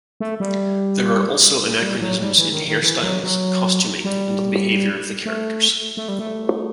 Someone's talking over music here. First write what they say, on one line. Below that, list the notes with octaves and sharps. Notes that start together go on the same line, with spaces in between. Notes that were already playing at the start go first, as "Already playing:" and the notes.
There are also anachronisms in hairstyles, costuming, and the behavior of the characters.
A3
G3
G3
F#3
G3
E3
D#3
D#3
E3
F#3
F#3
G3
A3
A3
G3
A3